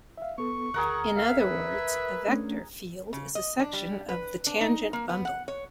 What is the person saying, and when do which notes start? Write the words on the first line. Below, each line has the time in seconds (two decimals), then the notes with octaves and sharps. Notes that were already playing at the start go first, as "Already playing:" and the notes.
In other words, a vector field is a section of the tangent bundle.
0.18 E5 F5
0.38 B3 A4 C#6
0.74 D2 G#4 A#4 F#5
1.17 E5 F5
1.40 B4
2.28 A3 C#4 D4
3.13 C#3
3.35 D#5
3.60 D4
3.73 G3
4.09 B4
4.47 D4
4.61 D#4
4.93 A#3
5.09 B3
5.25 F#5
5.48 C#5